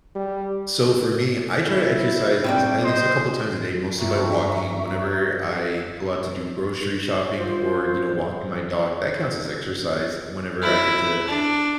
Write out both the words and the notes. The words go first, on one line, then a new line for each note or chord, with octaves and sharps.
So for me, I try to exercise at least a couple times a day, mostly by walking. Whenever I go out to do grocery shopping or, you know, walking my dog, that counts as exercise. Whenever I get to
G3
E4
A2 C3 G3 G5
C5 D#5
G2 E5 A#5 C#6
F4 C5
E4
D4